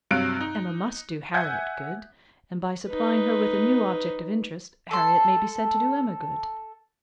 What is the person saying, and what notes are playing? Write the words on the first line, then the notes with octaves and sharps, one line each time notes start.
Emma must do Harriet good: and by supplying her with a new object of interest, Harriet may be said to do Emma good.
G2 C3 F#3 F5 F#6 D7
D#4
E5 F#5 G#5 G6 G#6
D#4 B4
A4 C6